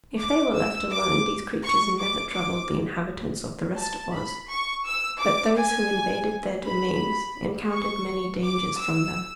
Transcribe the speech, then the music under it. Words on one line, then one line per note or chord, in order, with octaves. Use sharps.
If they were left alone, these creatures never troubled the inhabitants of the rest of Oz, but those who invaded their domains encountered many dangers from them.
D6
E6
D6
C#6
D6
D6
A5
B5
C#6
E6
D6
G#5
B5
C#6
D6
E6